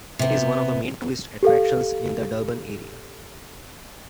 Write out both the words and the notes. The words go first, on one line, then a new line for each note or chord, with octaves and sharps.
It is one of the main tourist attractions in the Durban area.
C3 B3
G4 A4 F5